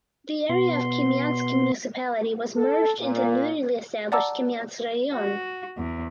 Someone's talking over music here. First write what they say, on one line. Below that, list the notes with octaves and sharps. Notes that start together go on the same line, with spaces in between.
The area of Kamianske Municipality was merged into the newly established Kamianske Raion.
B2 B3 C6
A4
A#2
D5 F#5 A5 A#5 D6 E6
F#4
E2